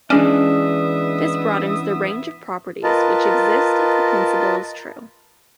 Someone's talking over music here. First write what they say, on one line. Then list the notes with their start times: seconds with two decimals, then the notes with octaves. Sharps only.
This broadens the range of properties which exist if the principle is true.
0.10 E3 G#3 B3 C#4 D4 E5 D#6
2.84 F4 A#4 B4 D#5 A5